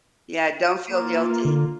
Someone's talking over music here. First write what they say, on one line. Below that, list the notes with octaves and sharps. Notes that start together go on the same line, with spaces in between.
Yeah, don't feel guilty.
A#3 F4
D3